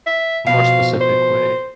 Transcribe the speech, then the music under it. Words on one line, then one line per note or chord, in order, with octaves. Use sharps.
more specific way?
E5
B2 F3 F5
C5